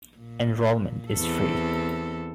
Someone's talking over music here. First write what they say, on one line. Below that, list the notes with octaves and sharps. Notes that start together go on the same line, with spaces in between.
Enrollment is free.
A#2
E2 C4 A4